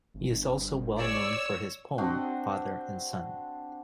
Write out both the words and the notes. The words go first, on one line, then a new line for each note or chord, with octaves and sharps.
He is also well known for his poem, Father and Son.
G1
C#5 D5 E6
C4 D4 F#4 D#5